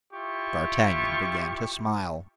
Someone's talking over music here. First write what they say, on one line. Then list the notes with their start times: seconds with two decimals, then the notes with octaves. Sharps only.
D'Artagnan began to smile.
0.12 E4 F4 G4 C#6